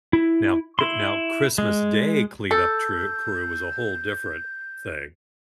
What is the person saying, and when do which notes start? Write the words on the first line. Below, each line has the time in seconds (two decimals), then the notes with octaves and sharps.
Now, Chr now Christmas Day cleanup true crew was a whole different thing.
0.13 E4
0.79 E4 C6
1.58 G#3
2.51 A4 G6